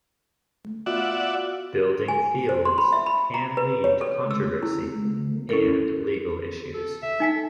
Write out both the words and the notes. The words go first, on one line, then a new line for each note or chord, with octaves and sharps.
Building fields can lead to controversy and legal issues.
B3 F4 F#4 D5 E5 F#5
G#5
C5
C6
B5
E5
B5
A#5
B4
C#5
A4
E6
E4
C#4 E4 A4 A#4
A4
E5
D#4 G#5 B6
A4